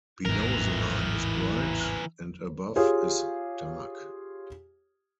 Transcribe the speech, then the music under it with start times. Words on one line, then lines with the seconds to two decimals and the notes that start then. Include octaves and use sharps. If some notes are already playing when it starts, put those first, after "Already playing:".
Below the line is bright, and above is dark.
0.25 A1 E2 G#2 E3 A#4
2.76 F4 G4 G#4 C#5 F5